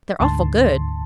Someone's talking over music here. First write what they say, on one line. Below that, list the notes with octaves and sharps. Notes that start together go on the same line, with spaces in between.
"They're awful good."
D2 G#2 D3 A5 C6